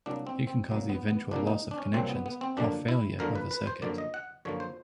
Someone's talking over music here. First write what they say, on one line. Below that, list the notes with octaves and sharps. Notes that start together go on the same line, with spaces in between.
It can cause the eventual loss of connections or failure of a circuit.
C2 A#2 F#3 A#3 D4
C4
C4
C2 A#2 F#3 A#3
B3
B3
C2 A#2 F#3 A#3 D4
D#4
D4
C#4
C2 A#2 F#3 A#3 C4
B3
B3
C4
F#2 D3 F3 A#3 D4
E4
F#2 D3 F3 A#3 A#4
B4
B4
C5
F#2 D3 F3 A#3 D5
D#5
F#5
F#2 D3 F3 A#3 C#5
C5